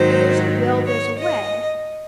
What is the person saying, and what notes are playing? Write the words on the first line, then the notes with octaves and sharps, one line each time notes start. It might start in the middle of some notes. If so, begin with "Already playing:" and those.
Where there's a will, there's a way.
Already playing: G#2 D#3 F#3 C5
C#5
D#5